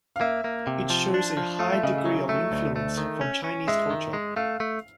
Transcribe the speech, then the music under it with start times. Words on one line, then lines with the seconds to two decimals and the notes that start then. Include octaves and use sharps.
It shows a high degree of influence from Chinese culture.
0.16 F5
0.21 A#3 E5
0.44 A#3
0.67 C3
0.90 F3
1.14 D4
1.37 F3
1.59 A3 F5
1.72 E5
1.83 C#3 D#5
1.98 E5
2.05 F#3
2.29 A3 E5
2.52 D2
2.76 A3
2.98 D#3
3.21 C#4
3.44 C#4
3.67 G#3 E5
3.90 D#3
4.13 G#3
4.36 A3 F5
4.60 A3